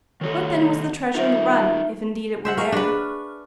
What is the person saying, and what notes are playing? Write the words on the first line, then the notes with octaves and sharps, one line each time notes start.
What, then, was the treasure in the run, if indeed it were there?
D#3 F#4 A4 C#5
D#4 F4 A#4 E5
C5 E5 F#5
A#3 G#4 C#6 F6
D4 B4